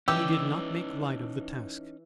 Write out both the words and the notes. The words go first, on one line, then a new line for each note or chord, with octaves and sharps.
He did not make light of the task.
E3 C#4 D#4 G4 E6